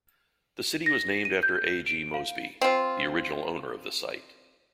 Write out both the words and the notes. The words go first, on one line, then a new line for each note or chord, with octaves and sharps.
The city was named after A. G. Mosby, the original owner of the site.
A#6
D#7
G6
D7
F5
C4 F4